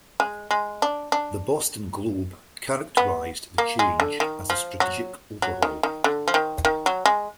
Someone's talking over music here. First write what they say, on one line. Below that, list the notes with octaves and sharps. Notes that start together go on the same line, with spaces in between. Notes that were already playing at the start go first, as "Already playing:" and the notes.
The Boston Globe characterized the change as a strategic overhaul.
G#3
G#3
D4
D4
B3
A#3
G#3
D3
D#3
F3
F#3
F#3
D#3
D#3
D3
F3
D#3
D#3
F#3
G#3